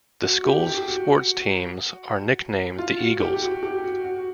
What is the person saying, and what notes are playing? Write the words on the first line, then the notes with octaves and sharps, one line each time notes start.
The school's sports teams are nicknamed the Eagles.
F#4
G4
G4
F#4
F4
F#4
G4
F#4
G4
F#4
F#4